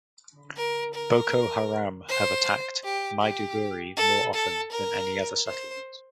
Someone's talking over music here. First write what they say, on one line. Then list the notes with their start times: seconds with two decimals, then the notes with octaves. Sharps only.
Boko Haram have attacked Maiduguri more often than any other settlement.
0.57 A#4
0.94 A#4
2.08 C5
2.84 G4
3.22 G4
3.97 A4
4.34 A4
4.72 A#4
5.47 C5